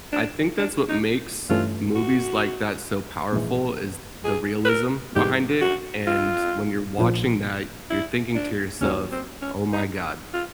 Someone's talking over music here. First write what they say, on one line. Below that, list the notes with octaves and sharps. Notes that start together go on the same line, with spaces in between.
I think that's what makes movies like that so powerful is the realism behind it, and when you're watching that, you're thinking to yourself, "Oh my god,
D4
D4
D#4
G2 E3 A3 C#4 F4
F#4
A#1 G#2 E3 G#3
G#4
B4
A#4
G#2 E3 G3 B3 G4
F#4
F4
A#1 A#2 F3
E4
D4
D#2 D#3 F#3 C#4
C4
C#4
D#4
F4